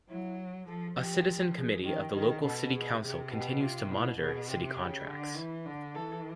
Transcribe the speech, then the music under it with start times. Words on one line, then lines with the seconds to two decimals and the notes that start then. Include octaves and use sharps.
A citizen committee of the local city council continues to monitor city contracts.
0.09 F#3 E4
0.67 F3 A4
0.98 F3 G4
1.56 G#4
1.84 D#3 G4
2.14 D#3 G#4
2.43 B2 A4
2.73 G#4
3.02 C3 G#4
3.31 B2 G4
3.61 C3 F4
3.90 B2 E4
4.20 B2 G#4
4.49 C3 G4
4.78 C#3
5.07 D3
5.37 E3
5.66 D3
5.95 E3 A4